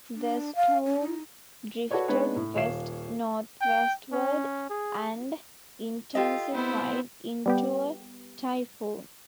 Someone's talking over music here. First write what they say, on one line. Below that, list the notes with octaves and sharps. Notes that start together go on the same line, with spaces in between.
The storm drifted west-northwestward and intensified into a typhoon.
D4
F5
C#4
D#4
F#4 A4 B4 C#5 D5
G#3 B3 D4 D#4 B4 C#5
A2
D#1 C#5 F5 C7 E7
G5
C#4
G#4
F4 G4 A4 D#5
B3 C4 E4
G3 B3 G4